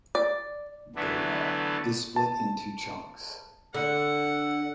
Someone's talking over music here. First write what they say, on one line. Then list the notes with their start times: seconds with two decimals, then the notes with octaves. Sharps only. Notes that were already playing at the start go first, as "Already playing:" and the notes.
Data is split into chunks.
0.15 D5
0.96 D3 E3 F#3 A3 B3 D4
2.16 A5
3.74 D3 F#5